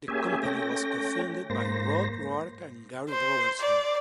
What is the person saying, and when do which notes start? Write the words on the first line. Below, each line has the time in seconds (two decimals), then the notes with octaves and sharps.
The company was co-founded by Rod Roark and Gary Robertson.
0.08 A#3 C#4 G4 G#4 E5 G#5
0.43 A3 C#4 G5 A#6
1.50 G#2 A#3 C5 A#6
3.10 C5
3.60 D5